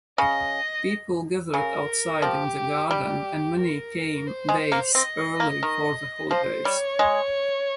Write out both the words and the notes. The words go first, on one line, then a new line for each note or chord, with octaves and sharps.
People gathered outside in the garden and many came days early for the holidays.
C#3 D#5
C#3 A#4
F3 G4
G3 G4
A#4
C5
G#3
A#3
C4 D#5
A#3
D#3
F3 C5
G3 C#5
G#3